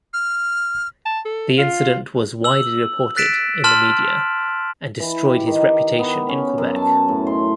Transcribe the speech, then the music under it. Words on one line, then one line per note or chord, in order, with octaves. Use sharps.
The incident was widely reported in the media and destroyed his reputation in Quebec.
F6
A5
A4
F4
E6 F#7
F#6 A6 B6 D7 E7
A5 C6 F6 E7 F#7
E3
G4
D#3
B3
C#4
F#2
A5
A2
C6